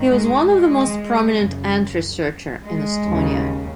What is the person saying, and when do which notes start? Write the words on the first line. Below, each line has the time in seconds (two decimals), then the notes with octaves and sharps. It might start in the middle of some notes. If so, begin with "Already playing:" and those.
He was one of the most prominent ant researcher in Estonia.
Already playing: G#2 D#3
0.08 G#3
0.50 G#3
1.36 F#2 C#3
2.64 G#3
3.07 D#2 C#3